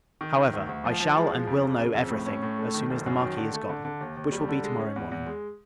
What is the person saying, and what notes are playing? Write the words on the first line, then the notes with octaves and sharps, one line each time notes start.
However, I shall and will know every thing as soon as the Marquis is gone, which will be to-morrow morning.
D#3
D#3
D2
D2
F3
F3
G#3
F3
F2
C#3
C#3
F2
A2
C#4
A2
A3
D#3
F#1
F#2
D#3
D3
A3
D3
D3
D#2
D#2
G3
D3
G#3
C#4
E2
E2
G#3